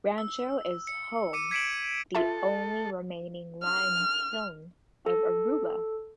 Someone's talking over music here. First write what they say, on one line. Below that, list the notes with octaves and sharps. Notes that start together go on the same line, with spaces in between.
Rancho is home the only remaining lime kiln of Aruba.
E6
C#7
D6 C#7 D#7
G#6 B6 C#7 D7 E7 F#7
F4 A4 E5 A5
F6
A4